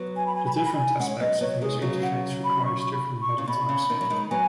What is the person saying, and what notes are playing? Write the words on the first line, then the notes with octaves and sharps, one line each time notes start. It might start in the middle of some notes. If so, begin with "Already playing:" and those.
The different aspects of a user interface requires different model types.
Already playing: F#3 B3
G#5
B5
G#5
B5
G#5
B5
G#5
G#3 C#4 F#5
C#5
F#3 B3 D#5
F#3 B3 C#5
D#3 G#3 G#4
C#3 F#3 F#4
F#5
B5
C#6
C#6
B5
C#6
C#3
C#6
B2 B5
C#3
B2 D#3
F#3
D#3 G#3
F#3 B3 G#5